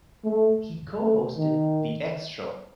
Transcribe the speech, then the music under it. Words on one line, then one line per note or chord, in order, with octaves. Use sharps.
He co-hosted "The X Show".
A3
A3
D#3